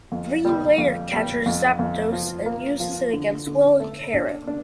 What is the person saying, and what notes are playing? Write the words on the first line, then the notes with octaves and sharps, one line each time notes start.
Green later captures Zapdos and uses it against Will and Karen.
F2
G3
F2
G3
F2
F2
F3
A#3
F3
D3
D3
A3
D4
D4